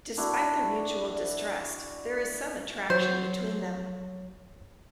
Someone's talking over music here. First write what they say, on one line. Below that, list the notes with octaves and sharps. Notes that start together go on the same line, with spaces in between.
Despite their mutual distrust, there is some attraction between them.
D4 E4 F#4
F#3 C5